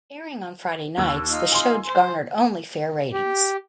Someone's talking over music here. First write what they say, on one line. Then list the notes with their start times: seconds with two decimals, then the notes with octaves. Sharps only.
Airing on Friday nights, the show garnered only fair ratings.
0.97 D#2 E6
1.28 D#4 F4
1.52 G#5 C6
1.86 C5
3.13 G4